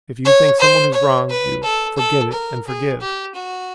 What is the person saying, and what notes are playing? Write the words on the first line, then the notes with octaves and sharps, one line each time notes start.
If you think someone has wronged you, forget it and forgive!
C#5
C5
C#5
B4
A4
A4
A#4
G#4
G4
F#4